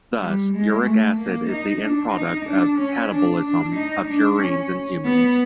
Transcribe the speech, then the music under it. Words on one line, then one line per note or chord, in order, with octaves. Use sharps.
Thus uric acid is the end product of catabolism of purines in humans.
G3
G#3
A3
A#3
D#4
D4
D#4
D4
C#4
D4
D4
D#4
D4
C#4
B3